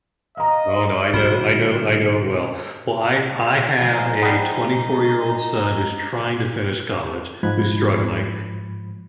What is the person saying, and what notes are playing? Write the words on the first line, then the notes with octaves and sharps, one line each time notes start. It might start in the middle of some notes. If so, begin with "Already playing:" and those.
Oh no, I know I know I know it well. Well, I I have a twenty-four-year-old son who's trying to finish college, who's struggling,
D#5 F5 A#5
A#2 D3 G3 F#4 F6 E7
F3 G#3 D#4
G3 B3
G#2 F3 B5 F#6 G#6